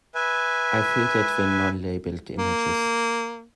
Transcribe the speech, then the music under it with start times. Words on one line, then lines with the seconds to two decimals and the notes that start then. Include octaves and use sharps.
I filtered the non labelled images.
0.15 B4 E5 G#5
2.39 A#3